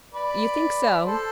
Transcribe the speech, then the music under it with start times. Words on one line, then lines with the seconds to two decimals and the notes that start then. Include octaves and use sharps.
"You think so?"
0.13 B4 D5
1.06 A4 C5